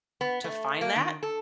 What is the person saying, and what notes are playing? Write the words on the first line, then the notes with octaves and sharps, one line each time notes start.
to find that.
B3
A3
A#3
D#3
A4